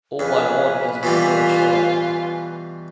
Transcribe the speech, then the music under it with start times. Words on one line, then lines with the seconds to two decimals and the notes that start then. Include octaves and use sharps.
All I want is me fair share.
0.19 F2 B4 G#5
1.03 B2 E3 G3 F4